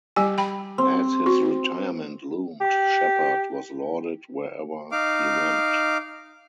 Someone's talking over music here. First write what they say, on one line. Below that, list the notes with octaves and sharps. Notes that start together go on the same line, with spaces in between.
As his retirement loomed, Shepherd was lauded wherever he went.
G3 G4 G#5
G5 B5
C4
F#4
G4
D#4 F5 D6